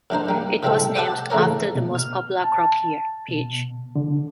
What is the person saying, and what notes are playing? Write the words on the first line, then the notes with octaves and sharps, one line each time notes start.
It was named after the most popular crop here, peach.
F#2 D4 D#4 C5
G3 A#3
A2 C#3 G3 G#3 C4 A4
C5 D5 E5 F#5 A5 D6
A1 C#3 A3 A#4 C#5
B2
F6
A5
B2
D3